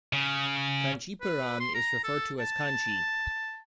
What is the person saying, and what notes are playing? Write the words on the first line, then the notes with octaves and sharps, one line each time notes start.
Kancheepuram is referred to as Kanchi.
C#3
B4
C6
A#5
A4
A5